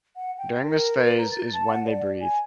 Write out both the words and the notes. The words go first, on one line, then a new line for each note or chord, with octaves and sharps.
During this phase is when they breathe.
F#5
G5
A#4
B4
A#5
A6
A5
F#5
D5
G#5